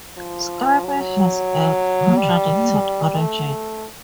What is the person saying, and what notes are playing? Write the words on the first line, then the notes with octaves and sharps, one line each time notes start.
Scrappy has a contradicted origin.
F3
F#3
G3
A3